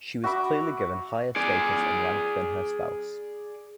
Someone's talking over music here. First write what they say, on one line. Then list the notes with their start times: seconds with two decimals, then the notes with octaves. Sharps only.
She was clearly given higher status and rank than her spouse.
0.24 F#4 E5 B5 D6
1.36 G#4 D5